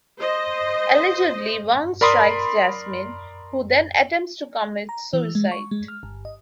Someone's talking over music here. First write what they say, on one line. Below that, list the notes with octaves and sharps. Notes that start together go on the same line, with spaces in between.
Allegedly Wang strikes Jasmine, who then attempts to commit suicide.
C5 D#5
A#4 D5 B5 C6 D#6
A#5
E3
G#3
C#6
G#3
F6
G1
D#5